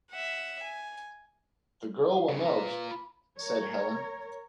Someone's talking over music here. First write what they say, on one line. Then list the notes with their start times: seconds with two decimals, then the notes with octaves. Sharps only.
"The girl will know," said Helene.
0.11 E5 F#5
0.64 G#5
2.11 F5
2.29 G2 C#3
2.45 F4 B4 A#5
2.90 B5
3.40 A#4 C#5